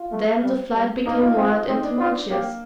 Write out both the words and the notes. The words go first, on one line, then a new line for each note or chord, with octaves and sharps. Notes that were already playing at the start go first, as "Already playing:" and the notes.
Then the flight became wild and tumultuous.
Already playing: F4
A3
G3
G3
A#3 D#4
F4
C4
C4 D#4
D4
F4
A#3 G4